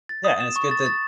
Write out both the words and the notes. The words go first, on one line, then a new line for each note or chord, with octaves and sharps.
Yeah. And it's good that
A6
D#6
E7
C#6
A6
A6